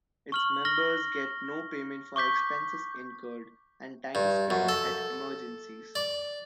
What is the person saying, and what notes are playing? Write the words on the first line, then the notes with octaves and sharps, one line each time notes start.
Its members get no payment for expenses incurred and time spent at emergencies.
C#6 F6 F#7
F6 A#6 G7
C#6 D6 G6 B6
G2
F#2
A4
D5